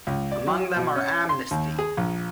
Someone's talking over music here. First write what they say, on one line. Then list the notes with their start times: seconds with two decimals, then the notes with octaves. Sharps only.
Among them are Amnesty!
0.07 C#2
0.32 D5
0.47 F#3
0.76 B2
0.96 C#4
1.29 C6
1.51 D#2
1.79 G#4
1.97 A#1